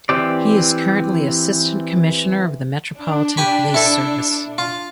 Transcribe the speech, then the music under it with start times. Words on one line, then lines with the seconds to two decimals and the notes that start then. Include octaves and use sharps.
He is currently Assistant Commissioner of the Metropolitan Police Service.
0.09 E3 C4 G4 D5
2.98 D4
3.37 G4 G#5 B5
3.74 E4 A4
4.58 F4